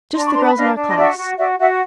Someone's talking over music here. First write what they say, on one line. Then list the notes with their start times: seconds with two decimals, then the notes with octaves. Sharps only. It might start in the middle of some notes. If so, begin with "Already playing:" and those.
"Just the girls in our class."
0.15 D4 A#5 C6
0.24 B5 C#6
0.35 B4 A#5 C6
0.45 A5 B5
0.56 D4 D#5 F5
0.76 D4
0.85 D#5
0.97 F#4 D5 E5
1.18 F#4
1.38 F#4 D5 E5
1.59 F#4 E5 F#5